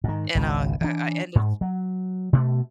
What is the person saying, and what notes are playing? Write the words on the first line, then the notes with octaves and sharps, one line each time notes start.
and, uh, I I ended
G#2 D#3
G#1 C#2 B2
E3 D4
G#2
F#3
B2 A3